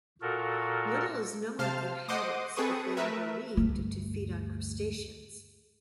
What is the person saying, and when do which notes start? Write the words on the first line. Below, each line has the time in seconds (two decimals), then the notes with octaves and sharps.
Little is known of their habits, but they are believed to feed on crustaceans.
0.22 A#2 F#4 A4 A#4
1.59 C3 C5 F5 A5 F6
2.08 C5 D#5 F#5 C6 D6 D#6
2.56 C4 G#4 A4 B4 C#6 D#6
2.97 A3 A#4 B4 E5
3.57 D2 G2